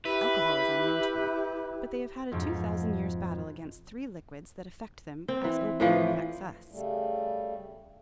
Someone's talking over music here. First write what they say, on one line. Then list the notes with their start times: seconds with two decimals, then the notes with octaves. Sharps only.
Alcohol is unknown to them, but they have had a two-thousand year's battle against three liquids that affect them as opium affects us.
0.05 E4 G4 B4
2.32 F2 G#2 B2
5.28 C4
5.44 E3
5.80 A2 E3 F3
6.71 C#3 G3 A3